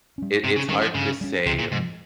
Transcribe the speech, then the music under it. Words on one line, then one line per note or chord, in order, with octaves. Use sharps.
it it's hard to say
G3 C#4
G2 C3
C#3
D#3 G3 C#4
F3
G2 C#3
G3 C#4
C#2 C3
A#2
G#2 C3 F3